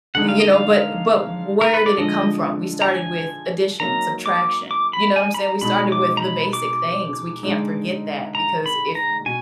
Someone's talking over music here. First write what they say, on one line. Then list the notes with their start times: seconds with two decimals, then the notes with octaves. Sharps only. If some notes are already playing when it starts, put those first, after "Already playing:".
you know, but but where did it come from? We started with addition, subtraction. You know what I'm saying? We started with the basic things. We can't forget that because if w
0.15 D3 G#3 D#4 F#5
0.29 F5
0.40 D#5
0.52 F5
1.61 A#4
1.74 B4
1.86 D5
1.98 D3 F3 G#3 D4 D#5
2.82 A#5
2.88 G#5
3.80 F#3 A#3 D#4 A#5
4.26 D6
4.71 D6
4.93 B5
5.16 G#5
5.34 B5
5.39 A#5
5.61 B2 G#3 D#4 B5
5.92 D6
6.17 A#5
6.22 B5
6.53 D6
7.43 D3 G#3 D#4
8.35 A#5
8.66 B5
8.95 A#5
9.26 B2 G#5